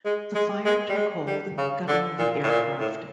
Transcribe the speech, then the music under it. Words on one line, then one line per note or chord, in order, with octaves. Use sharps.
The fire took hold, gutting the aircraft.
G#3
G#3
G#3
G3
G#3
G3
C#3
D3
A#2
A2
A#2
A2